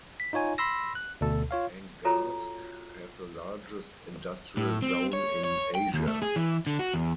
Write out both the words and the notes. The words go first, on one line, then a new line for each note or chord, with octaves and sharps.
Angarsk has the largest industrial zone in Asia.
B6
D#4 F4 C#5 G#5
B5 C6 E6 A#6
F#6
D2 B2 A4 A5
F4 C#5 F5
F4 F#4 A4 C#5 A#5
A2
C4
C#5
C#5
G5
D#2
A3
G#4
E3
D3
F#4
E2